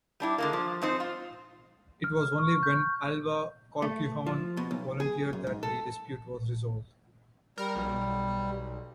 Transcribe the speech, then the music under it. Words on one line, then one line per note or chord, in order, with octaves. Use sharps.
It was only when Alva Colquhoun volunteered that the dispute was resolved.
G3 D4 E4
D3 G#3 A#3
F3
G#2 C4 D#4 C5
F4
F6
C#6
G6
A3
F3
B2
B1
G#4
F#2
G#2
A4
G3 A#4
B1